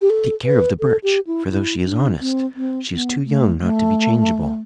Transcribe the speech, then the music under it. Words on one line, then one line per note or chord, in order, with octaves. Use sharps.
Take care of the Birch, for though she is honest, she is too young not to be changeable.
G4
A4
B4
A4
G4
E4
E4
D4
C4
C4
B3
A3
A3